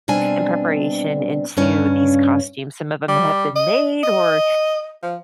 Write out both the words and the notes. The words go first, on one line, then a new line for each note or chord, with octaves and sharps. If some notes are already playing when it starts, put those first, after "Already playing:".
and preparation into these costumes, some of them have been made, or
B2 G3 C4 D4 G#5
G2 C#3 C#4
G3
D#5
D#5
F3